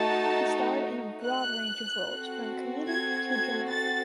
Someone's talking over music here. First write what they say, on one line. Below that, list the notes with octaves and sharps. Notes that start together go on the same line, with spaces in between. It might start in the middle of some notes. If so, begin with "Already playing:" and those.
He starred in a broad range of roles from comedic to dramatic.
Already playing: A3 D#4 F#4 A5
F#6
C4 F#4 A4
G#6
G#6
A6